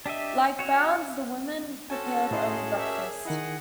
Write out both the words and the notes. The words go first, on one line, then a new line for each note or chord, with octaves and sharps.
Like Bounds, the woman prepared only breakfast.
D4 G4 D#5 E5
F#4 C#5
C4 C#4 F#4 A4 G#5 A5
A2 D#4 E4 G#4 A4 C6
G4 A#4 E5
D#3 E4 D#5 F#5